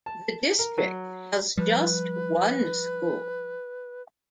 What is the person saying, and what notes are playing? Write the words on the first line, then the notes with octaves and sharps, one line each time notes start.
The district has just one school.
A5
A#4
F#3
F3 G3 B4